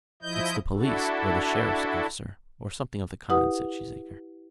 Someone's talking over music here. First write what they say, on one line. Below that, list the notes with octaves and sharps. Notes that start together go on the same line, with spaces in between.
"It's the police, or the sheriff's officer, or something of the kind," said Cheesacre.
F3 E4 D#5 G6
D4 E4 F#4 A4
E4 G4 B4 F#5 D#6